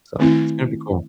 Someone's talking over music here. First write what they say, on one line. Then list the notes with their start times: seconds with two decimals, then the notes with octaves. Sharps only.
so, it's gonna be cool.
0.19 D#3 A3 C4 E4